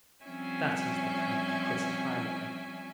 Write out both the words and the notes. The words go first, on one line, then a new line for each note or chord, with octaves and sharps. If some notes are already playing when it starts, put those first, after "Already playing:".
That is the kind of critic I like.
F3 G3 C4 C#4 E5 G#5